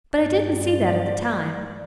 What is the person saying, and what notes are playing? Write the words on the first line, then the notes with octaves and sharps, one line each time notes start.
But I didn't see that at the time.
G2 D5